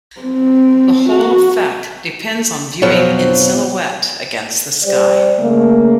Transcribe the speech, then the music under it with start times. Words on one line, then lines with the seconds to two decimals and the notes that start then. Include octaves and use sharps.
The whole effect depends on viewing in silhouette against the sky.
0.21 C4
1.10 F#4
2.82 F2 B2 F3 F#3
4.83 G3 G4 C5 D5
5.39 C#3 A3 A#3